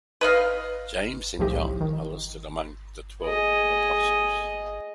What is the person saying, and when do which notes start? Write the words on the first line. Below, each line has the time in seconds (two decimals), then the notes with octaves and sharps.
James and John are listed among the Twelve Apostles.
0.21 B4 D#5 F5
1.39 C2 A2 F3 D#4 G4 D#5
1.80 D#3
3.23 G#4 D#5